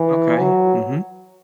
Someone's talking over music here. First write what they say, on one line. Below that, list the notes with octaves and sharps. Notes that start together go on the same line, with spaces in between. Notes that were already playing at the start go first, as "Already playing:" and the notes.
Okay. Mhm.
Already playing: E3
F#3